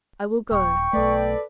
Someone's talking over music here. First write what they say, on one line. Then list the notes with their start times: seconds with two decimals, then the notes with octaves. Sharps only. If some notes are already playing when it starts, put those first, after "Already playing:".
I will go.
0.52 D#1 G5 C#6
0.93 B1 A3 A4 B4 D5